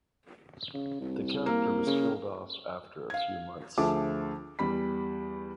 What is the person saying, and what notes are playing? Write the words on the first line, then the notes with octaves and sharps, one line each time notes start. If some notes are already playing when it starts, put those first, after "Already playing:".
The character was killed off after a few months.
C#3
C2
A#3
C#3
F5 G#6
D2 F3 G#4 E5 A5 D6
E2 G3 B5 B6